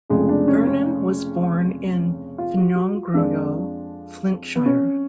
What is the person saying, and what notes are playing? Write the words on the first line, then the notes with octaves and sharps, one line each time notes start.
Vernon was born in Ffynnongroew, Flintshire.
F1 F2 C#3 G#3
D4
C#4
C#4
F4
F#4
F#4
F4
F2 F3 G#3 D4
B3
C#4